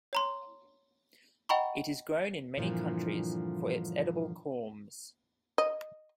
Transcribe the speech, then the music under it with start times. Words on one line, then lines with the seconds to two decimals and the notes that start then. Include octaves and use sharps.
It is grown in many countries for its edible corms.
0.13 C#5 A#5 C6
1.49 D#5 F#5 G5 A#5 B5 C#6
2.58 G2 A#2 D3 E3 F3
5.58 D#5